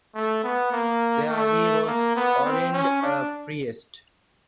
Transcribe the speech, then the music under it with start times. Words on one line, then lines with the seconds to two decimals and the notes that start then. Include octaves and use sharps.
There he was ordained a priest.
0.15 A3
0.43 B3
0.72 A#3
1.29 A3
1.87 A#3
2.16 B3
2.44 C4
2.73 C#4
3.02 D4